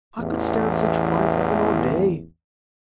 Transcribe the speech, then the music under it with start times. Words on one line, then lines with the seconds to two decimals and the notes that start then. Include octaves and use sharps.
I could stan' such fly-flappin' all day.
0.19 A1 E2